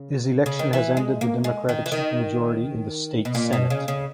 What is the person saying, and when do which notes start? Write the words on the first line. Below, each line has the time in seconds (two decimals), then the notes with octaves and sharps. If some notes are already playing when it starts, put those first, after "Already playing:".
His election has ended the Democratic supermajority in the State Senate.
Already playing: C#3
0.46 C#3
0.59 D#3
0.73 E3
0.97 G#3
1.21 A#3
1.44 G#3
1.69 D#3
1.86 E3
1.92 D#3
3.25 B2
3.35 A#2
3.53 B2
3.70 C#3
3.88 C#3